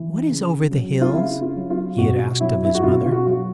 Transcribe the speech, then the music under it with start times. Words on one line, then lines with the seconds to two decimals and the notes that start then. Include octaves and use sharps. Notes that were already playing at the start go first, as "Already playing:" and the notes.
"What is over the hills?" he had asked of his mother.
Already playing: E3
0.28 C#3
0.71 F#3
1.01 F4
1.13 C#3 E4
1.41 F4
1.56 F#3
1.70 F4
1.98 B2 F#4
2.40 F#3 E4
2.64 E4
2.74 F#4
2.83 B2 F4
3.06 F4
3.12 F#4
3.26 F#3